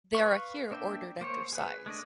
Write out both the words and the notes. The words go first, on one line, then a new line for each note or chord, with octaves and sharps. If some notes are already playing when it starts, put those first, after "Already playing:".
They are here ordered after size.
B4 F5 C#6
A#3 D4 E5 G5
A#3 C5 C#5
G#4 B4
G#3 A3 D4 D#5